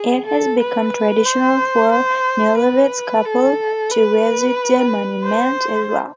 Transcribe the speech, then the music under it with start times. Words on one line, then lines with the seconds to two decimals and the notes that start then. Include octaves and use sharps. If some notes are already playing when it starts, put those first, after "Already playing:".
It has become traditional for newlywed couples to visit the monument as well.
Already playing: G#4
0.26 A4
0.60 B4
1.26 C5
1.92 C5
2.58 B4
3.25 A4
3.91 B4
5.24 C5